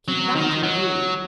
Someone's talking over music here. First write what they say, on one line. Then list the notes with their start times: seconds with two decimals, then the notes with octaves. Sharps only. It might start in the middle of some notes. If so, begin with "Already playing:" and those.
Keep that in view.
0.08 F#3
0.36 D#3
0.63 F#3